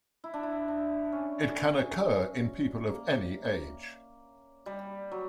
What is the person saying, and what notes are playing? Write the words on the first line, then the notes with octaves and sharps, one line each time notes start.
It can occur in people of any age.
E4
D4
E4
D4
C#4
A#3
G3
F#3